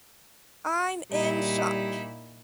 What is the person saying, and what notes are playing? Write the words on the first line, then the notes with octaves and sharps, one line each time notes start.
I’m in shock.
A#2 G3 D#4 E4